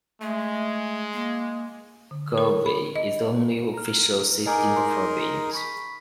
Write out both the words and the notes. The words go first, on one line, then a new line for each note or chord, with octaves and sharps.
Galway is the only official city in the province.
G#3 A3
A#3
D3
A#4
B5
D#5
A#5 F6
D#4 G#4 A#4 D#5 G#5 D6
C6
B5 C#6 B6